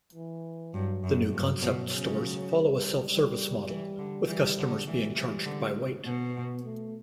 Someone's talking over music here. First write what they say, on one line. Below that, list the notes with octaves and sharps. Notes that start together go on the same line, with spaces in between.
The new concept stores follow a self-service model, with customers being charged by weight.
E3
G2 F#3
F#2
G2
B2
C#3
G3
G3
E3
D3
E3 G3
D3
E3 G3
E3
D3
B2 B3
A3